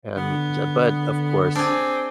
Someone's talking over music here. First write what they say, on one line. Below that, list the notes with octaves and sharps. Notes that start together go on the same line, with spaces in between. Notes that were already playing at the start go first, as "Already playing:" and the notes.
and j but, of course,
D3 B3
C4 D4 G#4